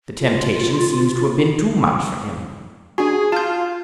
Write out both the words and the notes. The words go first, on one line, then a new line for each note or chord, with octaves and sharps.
The temptation seems to have been too much for him.
F4
D4 F#4 G#4
F4 A5 G6